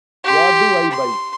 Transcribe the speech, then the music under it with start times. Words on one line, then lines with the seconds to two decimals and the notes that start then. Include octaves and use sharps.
What do I buy?
0.24 G4 C6
0.91 C6